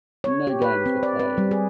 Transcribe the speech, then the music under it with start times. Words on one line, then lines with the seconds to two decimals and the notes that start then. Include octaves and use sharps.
No games were played.
0.24 C#5
0.47 G4
0.62 B4
0.86 C4
1.03 D5
1.19 B4
1.38 G3
1.51 G#4